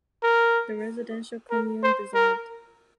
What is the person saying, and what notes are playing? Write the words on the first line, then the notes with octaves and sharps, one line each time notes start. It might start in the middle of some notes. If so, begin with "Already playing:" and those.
The residential commune dissolved.
A#4
A#4
C5
A#4